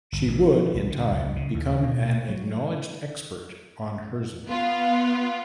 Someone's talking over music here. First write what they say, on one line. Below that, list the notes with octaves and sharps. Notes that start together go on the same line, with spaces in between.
She would in time become an acknowledged expert on Herzen.
G1
A1
F3
C2
D3
C#2
C#3
D#2
B2
F#3
B3 F4